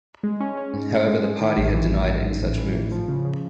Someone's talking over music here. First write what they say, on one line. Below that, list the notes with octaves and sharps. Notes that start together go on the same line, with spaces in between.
However the party had denied any such move.
G#3
C#4
C#4
G#2
G#2
G#3
G#3
D#3
A1
E3
A1
G#2
G#2
A1
E3
A1
F3
C#3
C#3